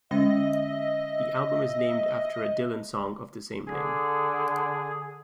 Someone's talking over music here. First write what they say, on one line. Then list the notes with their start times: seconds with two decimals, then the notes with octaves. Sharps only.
The album is named after a Dylan song of the same name.
0.11 D3 G#3 C#4 D#5 E5
3.67 D3 G#4